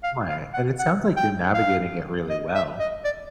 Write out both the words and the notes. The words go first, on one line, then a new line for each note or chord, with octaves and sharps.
Right, and it sounds like you're navigating it really well.
F5
F5
F#5
F#5
G5
F5
D#5
E5
D#5
D5